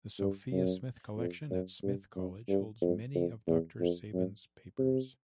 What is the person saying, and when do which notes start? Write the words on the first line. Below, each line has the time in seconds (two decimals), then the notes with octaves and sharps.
The Sophia Smith Collection at Smith College holds many of Doctor Sabin's papers.
0.19 G2
0.52 F#2
1.17 F2
1.50 F#2
1.83 G2
2.16 F#2
2.49 G2
2.81 F2
3.15 F2
3.47 E2
3.80 F2
4.13 F#2
4.79 C3